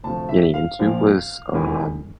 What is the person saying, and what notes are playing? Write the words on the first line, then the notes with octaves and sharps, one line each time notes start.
getting into was, um,
D2 C3 F3 A3 A5
E5
F5
A#1 A#2 F3
E1 E2 E3